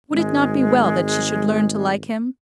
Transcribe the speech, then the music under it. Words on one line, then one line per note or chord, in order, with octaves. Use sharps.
Would it not be well that she should learn to like him?
G#1 G#3